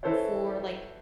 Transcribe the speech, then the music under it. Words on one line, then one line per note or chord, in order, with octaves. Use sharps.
for, like,
E3 A4 C5 C#5